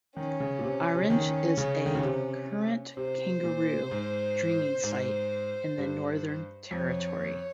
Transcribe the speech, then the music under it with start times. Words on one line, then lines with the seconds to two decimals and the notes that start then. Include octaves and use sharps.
Aherrenge is a current kangaroo dreaming site in the Northern Territory.
0.17 D#3 C#4
0.40 C#3
0.59 A#2
0.63 C3
0.94 C3
1.02 C#3
1.10 D#3
1.57 C#3
1.86 D#3
1.95 C#3
2.03 C3
2.97 C3 C5
3.43 A#2
3.91 G#2
4.83 G#2
5.78 G2
6.71 F2 C#5